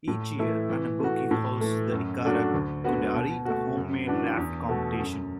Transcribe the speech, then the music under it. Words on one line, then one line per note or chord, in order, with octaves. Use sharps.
Each year, Anabuki hosts the Ikada Kudari, a homemade raft competition.
A2
E3 A3 E4
E3
A3 F#4
A2
E3 A3
F#2
F#3 A3 D4 F#4
D2
D3 B3 F#4 B4
B2
A3 F#4
F#2
E3 D4 F#4 B4
E2
B2 A3 F#4 A4
F#2